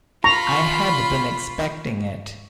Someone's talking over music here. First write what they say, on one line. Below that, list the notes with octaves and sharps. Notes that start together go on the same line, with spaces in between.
I had been expecting it.
F4 A#5 B5 C#6